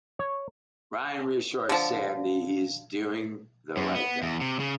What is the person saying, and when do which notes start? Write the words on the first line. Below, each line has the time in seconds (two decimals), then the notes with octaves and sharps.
Ryan reassures Sandy he is doing the right thing.
0.19 C#5
1.69 D3 F3
3.77 F#2
3.95 B3
4.23 E2
4.41 C3
4.60 C#3